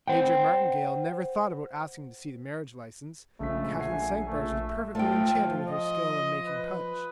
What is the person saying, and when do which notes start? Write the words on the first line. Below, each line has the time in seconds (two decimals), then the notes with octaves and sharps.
Major Martingale never thought about asking to see the marriage licence, Captain Cinqbars was perfectly enchanted with her skill in making punch.
0.08 C5 F#5 G5
3.40 A#1 C#3 G#3 A3 B6
3.78 E5 F#5 G#5 C7
4.28 A3
4.95 A3 F4 C5 G5
5.35 F3
5.69 D#5
6.48 B4